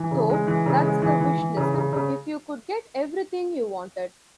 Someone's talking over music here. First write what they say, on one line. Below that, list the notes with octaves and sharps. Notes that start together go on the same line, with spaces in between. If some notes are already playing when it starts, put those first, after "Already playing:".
So, that's the wish list, if you could get everything you wanted.
Already playing: E3
C#3
G#3
E3
C#3
G#3
E3
E3
E3
C#3
C#3
C#3